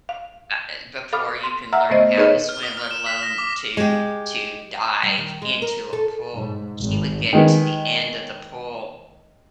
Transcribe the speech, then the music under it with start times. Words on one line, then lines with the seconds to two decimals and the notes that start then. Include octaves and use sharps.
ah, uh, before you can learn how to swim, let alone to to dive into a pool. She would get to the end of the pool,
0.09 F5
1.13 A4 F5 B5 D6 D#6 F6
1.44 C6
1.73 E5 F#5 A#5 E6 F6
1.89 A2 D3 A3 B3 C5 D#5
2.17 D#4 G#4 A4 B4 C#5 D#5
2.49 F6
2.63 D#6
2.77 F6
2.91 E7
3.06 B6
3.23 A#6
3.38 D6
3.77 G#3 G4
5.03 G3
5.18 D#3
5.42 G#3
5.62 A#4
5.93 A4
6.36 G#2
6.80 G#1
7.33 D#3 G#3 B4